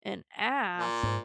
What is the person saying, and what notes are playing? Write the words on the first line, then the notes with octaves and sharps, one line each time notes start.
and ask,
A#2
G#2